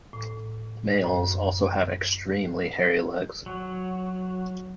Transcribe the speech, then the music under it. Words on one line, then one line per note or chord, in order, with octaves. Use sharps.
Males also have extremely hairy legs.
A2
F#2
F#3